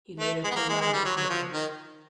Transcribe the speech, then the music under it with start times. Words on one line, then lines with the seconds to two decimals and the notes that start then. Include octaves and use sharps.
He later pulled out of the commitment.
0.19 A3
0.44 G#3
0.50 B3
0.55 A#3
0.69 G#3
0.81 G#3
0.93 G3
1.05 F#3
1.17 F#3
1.29 F3
1.53 D#3